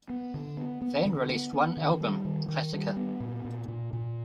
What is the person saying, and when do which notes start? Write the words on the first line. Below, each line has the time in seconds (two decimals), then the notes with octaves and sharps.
Van released one album, "Classica".
0.10 B3
0.34 D3
0.57 B3
0.82 B3
1.05 D3
1.30 B3
1.53 B3
1.77 D#3
2.01 G3
2.25 D#3
2.48 D#3
2.73 G3
2.97 B3
3.20 A#2
3.45 A#2
3.68 A#2
3.93 A#2